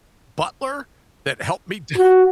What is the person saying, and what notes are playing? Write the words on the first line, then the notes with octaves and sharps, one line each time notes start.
butler that helped me down
F#4